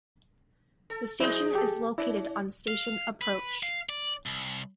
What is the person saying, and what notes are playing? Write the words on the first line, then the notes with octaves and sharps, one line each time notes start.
The station is located on Station Approach.
A4
F3 E4 G#4 C5 D#5 G6
G4 A4
C#4 E4
F5
B4
F5
D5
C2